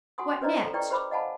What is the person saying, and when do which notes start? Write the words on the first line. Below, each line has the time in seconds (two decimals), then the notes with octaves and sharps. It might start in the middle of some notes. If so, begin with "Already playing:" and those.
"What next?"
0.18 F#4 G4 F#5 G#5 C6 D#6
0.41 C#4 B4 C5 D5 D#5 A#5
0.62 A4
0.73 E4 B4 D5 G5 A#5 C#6
0.90 G4 B4 C5 B5 D6
1.11 D#5 F5 F#5 G#5 A5 B5